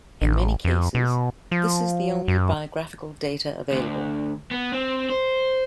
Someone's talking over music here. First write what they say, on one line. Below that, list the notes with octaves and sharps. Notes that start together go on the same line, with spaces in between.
In many cases, this is the only biographical data available.
A1
F2
B2
F3
F#2
D2
B3
C4
C5